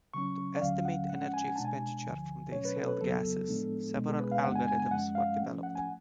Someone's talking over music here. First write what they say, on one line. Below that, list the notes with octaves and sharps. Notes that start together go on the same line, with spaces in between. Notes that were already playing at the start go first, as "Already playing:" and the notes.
To estimate energy expenditure from the exhaled gases, several algorithms were developed.
C#3 F#3 C#4 C#6
D5
D2 D3 F#3 C#4 F5
F#5
A2 F3 G#3 C#4 F#5
F#5
G#5
G#5
B2 G#3 D4 A5
G#5
D2 D3 F3
B2 F#3 A3 C#4 C#5
B4
A4
B4
F2 C#3 F#3 B3 A4
A2 F3 G#3 B3 D4
C#2 B2 G#3 B3 D4
G#4
B4
F5
F#2 C#3 G#3 B3 D4 F#5
G#5
G#5
G#5
F#2 F3 G#3 C#4 F#5
F5
G#2 F3 A3 C#4
F#5
G#5